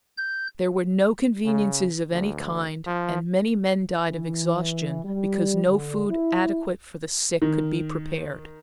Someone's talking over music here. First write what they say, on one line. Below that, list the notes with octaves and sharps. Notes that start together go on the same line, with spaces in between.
There were no conveniences of any kind and many men died of exhaustion because no food adequate for the sick could be prepared.
G6
C#3
D2
F3
E3
G3
D3
E4
D#3